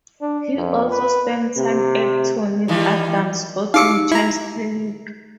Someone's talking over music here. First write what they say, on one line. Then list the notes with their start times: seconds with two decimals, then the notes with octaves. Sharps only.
He also spent time at Tony Adams' Sporting Chance Clinic.
0.21 D4
0.57 F2
0.91 B4
1.56 C3
2.68 D#3 E3 G3
3.74 D#4 G4 F5 D6 E6 C#7
4.11 E4 A#5